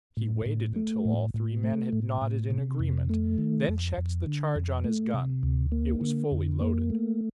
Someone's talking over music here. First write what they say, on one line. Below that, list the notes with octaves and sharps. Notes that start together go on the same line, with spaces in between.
He waited until all three men had nodded in agreement, then checked the charge on his gun--it was fully loaded.
A2
A2
A3
A2
A2
A3
A2
A2
C3
F2
A3
D#3
F2
F2
D3
F2
A3
C3
D2
A#3
D3
F2
A#3
A3